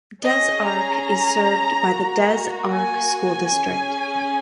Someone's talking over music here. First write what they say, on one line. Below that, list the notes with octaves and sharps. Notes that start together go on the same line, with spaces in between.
Des Arc is served by the Des Arc School District.
C#4 G#4 D#5
A#5
A#3 F#4
G#5
C#4 G#4